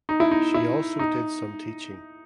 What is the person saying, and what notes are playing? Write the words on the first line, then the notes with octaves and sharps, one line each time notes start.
She also did some teaching.
D#4
E4
D#4
E4
D#4